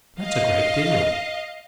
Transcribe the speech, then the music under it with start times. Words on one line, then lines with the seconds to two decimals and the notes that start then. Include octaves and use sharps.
"That's a great deal."
0.22 D#5 F5